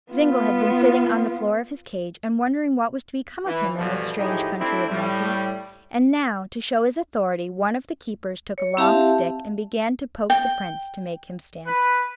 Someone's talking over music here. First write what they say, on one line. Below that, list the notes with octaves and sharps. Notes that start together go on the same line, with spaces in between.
Zingle had been sitting on the floor of his cage and wondering what was to become of him in this strange country of monkeys, and now, to show his authority, one of the keepers took a long stick and began to poke the Prince to make him stand up.
B3 F4
E3
G2 B2 D3 E3 F3
A2 F3 D#4 E4 G4 G#4
A3 C4 D4 E4
A2 G3
C#5
C4 E4 G4 E5 F5 A5
G5
B4